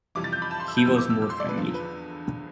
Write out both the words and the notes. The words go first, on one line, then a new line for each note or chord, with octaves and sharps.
He was more friendly.
F2 C3 E3 G3 D6
A6
G6
B5
A5
C6
E6
G6
F2 E3 G3 E6
D6
E6
E6
C6
D5
B4
E2 D3 F3
B4